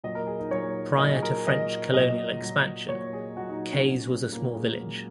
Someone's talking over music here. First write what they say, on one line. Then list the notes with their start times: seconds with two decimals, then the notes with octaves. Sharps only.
Prior to French colonial expansion, Kayes was a small village.
0.03 A#2 F#3 D#5
0.15 A#4
0.27 G#4
0.39 D#4
0.51 A#2 F#3 C#5
0.98 A#2 F#3 D#5
1.16 G#4
1.22 A#4
1.46 A#2 F#3 D#5
1.94 A#2 F#3 D#5
2.41 A#2 F#3
2.89 A#2 F#3 C#5
3.13 G#4
3.37 A#2 F#3 F#4
3.49 D#4
3.72 C#4
3.84 A#2 F#3
4.32 A#2 F#3 A#3
4.55 G#3
4.79 A#2 F#3